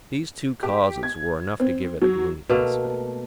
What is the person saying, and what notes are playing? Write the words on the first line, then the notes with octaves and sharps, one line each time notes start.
These two causes were enough to give it a gloomy aspect.
G4
G#6
C4
F#3
B2 A3 A#3